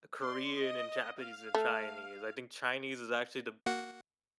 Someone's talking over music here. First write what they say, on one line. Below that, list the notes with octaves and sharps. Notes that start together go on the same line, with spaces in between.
Korean and Japanese and Chinese, I think Chinese is actually the
D5 C6
D#5
F5
A3
A#3 F#4 F#5